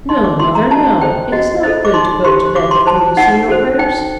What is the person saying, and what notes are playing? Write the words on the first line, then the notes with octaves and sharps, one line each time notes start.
"No, mother, no; it is not good to go to bed before you say your prayers."
D#4 C6
D6
F#4 A#4 C6
A#5
F#4 A5
A4 C5 G5
F#4 D#5
A4 C5 D#5
D6
D#4 C6
G4 C5 C6
F#4 D6
C6
C5 A5
D#4 F#5
F#4 A4 C5
D#4 G5